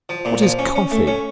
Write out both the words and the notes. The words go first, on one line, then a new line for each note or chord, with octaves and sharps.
What is Coffee?
F3
A#2
F3
C#4
C#4
A3
C#4